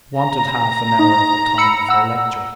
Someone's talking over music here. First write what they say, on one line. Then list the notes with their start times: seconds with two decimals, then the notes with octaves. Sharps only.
It wanted half an hour of the time of her lecture.
0.19 A#5
0.99 D#4
1.57 B5 E6 C#7
1.88 F#5 E6